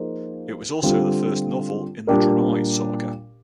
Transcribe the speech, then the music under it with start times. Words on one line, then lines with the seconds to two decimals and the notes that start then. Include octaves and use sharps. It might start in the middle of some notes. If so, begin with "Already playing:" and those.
It was also the first novel in The Drenai saga.
Already playing: F3 A#3 D#4 G#4 C5
0.82 D3 G3 C4 F4
2.07 A#2 G3 D4 G4 A#4